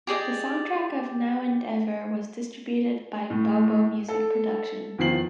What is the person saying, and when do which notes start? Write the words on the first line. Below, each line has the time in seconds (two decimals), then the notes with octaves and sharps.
The soundtrack of "Now and Ever" was distributed by Bo Bo Music Production.
0.07 G4 G#4 D5 D#5
3.30 A2
4.08 A4
4.98 E2 D#3 F3 C7 F#7